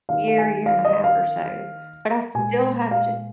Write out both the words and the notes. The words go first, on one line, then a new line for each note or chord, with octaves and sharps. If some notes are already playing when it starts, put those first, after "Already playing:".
year, year and a half or so, but I still have to
D#3 A#3 F5
F5
G#5
F5
D#5
F5
A#2 G#3 G#5
F5